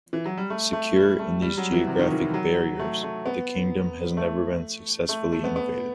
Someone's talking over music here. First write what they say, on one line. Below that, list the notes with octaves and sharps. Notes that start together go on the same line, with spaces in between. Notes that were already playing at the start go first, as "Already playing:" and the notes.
Secure in these geographic barriers, the kingdom has never been successfully invaded.
E3
F#3
G3
A3
A3
G3
A3
G3
F#3
E3
C3
D#3
E3
F#3
A3
A3
B3
A3
A3
A3
B3
B3